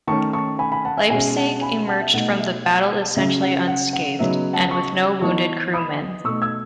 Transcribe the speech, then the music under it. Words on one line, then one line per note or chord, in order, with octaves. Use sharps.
"Leipzig" emerged from the battle essentially unscathed, and with no wounded crewmen.
D#3 A3 C#4 A5 C#6
A5 C#6
G#5 B5
G#5 B5
F#5 A5
E5 G#5
B2 G#3 C#4 E5 G#5
F#5 A5
G#5 B5
F#5 A5
E5
B2 A3 D#4 F#5
E5
F#5
C#3 F#3 C#4 E5
F#5
F#5
F#5
C#3 F#3 B3 D#4 E5
F#5 A5
A5 C#6
E3 B3 D#4 A5 C#6
B5 D#6
B2 A3 D#4 C#6 E6
E6 G#6